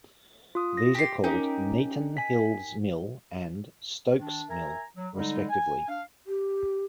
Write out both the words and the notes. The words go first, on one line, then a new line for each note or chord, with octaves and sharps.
These are called Kneeton Hills Mill and Stokes' Mill respectively.
F4 D#6
A#6
G4 C6
C#4 D#4 G4 A#4
G#5 B6
D#3 D4
A#4 E5 G#5 A#5
F#3
D3 G3 G#3 D#4
G#5
D4 F5
G4